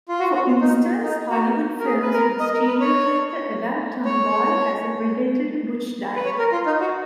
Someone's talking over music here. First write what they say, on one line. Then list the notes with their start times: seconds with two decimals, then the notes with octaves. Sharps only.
For instance, Hollywood films would stereotype the adult tomboy as a "predatory butch dyke".
0.09 F4
0.20 F#4
0.34 F#4
0.47 F4
0.61 D#4
1.03 D#4
1.30 F#4
1.80 A#4
1.85 G#4
2.02 B4
2.13 A#4
2.40 D#5
2.54 A#4
2.67 B4
2.81 C#5
4.05 C#5
6.16 B4
6.25 C#5
6.39 A#4
6.52 F4
6.66 D#4
6.80 F#4